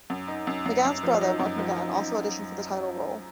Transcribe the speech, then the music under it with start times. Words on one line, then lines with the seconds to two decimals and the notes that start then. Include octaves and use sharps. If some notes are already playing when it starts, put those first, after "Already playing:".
McGann's brother, Mark McGann, also auditioned for the title role.
0.10 F#2
0.28 D#4
0.47 F#2
0.66 F#2
0.85 F#2
1.03 F3
1.21 D#4
1.40 F#2
1.58 F3
1.77 D#4
1.95 D#4